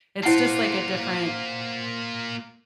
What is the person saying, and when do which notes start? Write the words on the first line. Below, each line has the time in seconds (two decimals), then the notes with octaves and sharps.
it's just, like, a different
0.23 A#3 E4 F4 C5 F#5 A5 C7